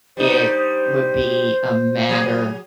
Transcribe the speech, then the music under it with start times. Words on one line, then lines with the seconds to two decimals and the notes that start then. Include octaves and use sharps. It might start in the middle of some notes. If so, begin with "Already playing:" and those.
it would be a matter
0.17 G3 D4 D#4 C5
2.09 F#3 G#4